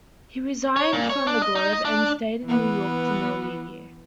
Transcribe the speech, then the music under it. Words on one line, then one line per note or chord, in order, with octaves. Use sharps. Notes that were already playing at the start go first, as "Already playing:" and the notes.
He resigned from "The Globe" and stayed in New York for nearly a year.
C#5
A#2
C#5
D4
D#5
D#4
D#5
D4
E3 B3